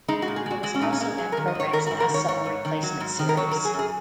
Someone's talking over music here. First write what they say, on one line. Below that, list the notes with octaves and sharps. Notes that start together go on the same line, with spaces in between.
It was also that program's last summer replacement series.
G#3 D#4
F#4
A#2
G#4
G#3 F#4
G#3 F#4
C#4
A#2 D#4
C#4
G#3 A#3
F#3 G#4
A#4
D#3
D#5
G#2 C#5
D#3 A#4
F#4
G#2
A#4
D#3
C#5
G#2 C#5
G#2
D#3
F#3
G#2
D#3
A#4
F#3 C#5
A#4
F#3
G#4
F#2
G#4